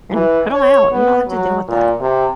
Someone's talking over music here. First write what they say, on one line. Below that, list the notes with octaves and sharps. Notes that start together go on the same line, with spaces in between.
An put 'em out, you don't have to deal with that.
E3
C#5
B3
F#3
A#2
C3